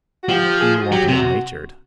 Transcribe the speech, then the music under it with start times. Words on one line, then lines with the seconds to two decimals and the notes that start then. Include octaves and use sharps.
"You won't be ill-natured?"
0.23 F#4
0.29 F3 G4
0.60 G#4
0.82 F#4
0.91 F#3 G4
1.08 C3 F#4